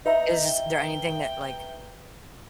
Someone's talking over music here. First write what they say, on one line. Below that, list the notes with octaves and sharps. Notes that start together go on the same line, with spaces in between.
is there anything that like
D#4 B4 E5 A#5
G5